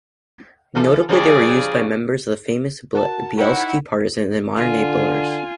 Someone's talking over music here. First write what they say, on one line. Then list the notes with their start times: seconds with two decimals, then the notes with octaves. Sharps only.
Notably they were used by members of the famous "Bielski partisans" in modern-day Belarus.
0.75 E3 F4 A4
1.09 G2 C#3 F3 G#4 D5
2.95 F#4 A#4 F#5 A5
3.37 D#4 E4 F#4 C#5 F#5 G5 B5
4.56 D3 F4 G#5